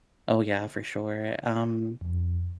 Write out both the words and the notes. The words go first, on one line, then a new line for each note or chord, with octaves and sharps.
Oh, yeah, for sure. Um,
F2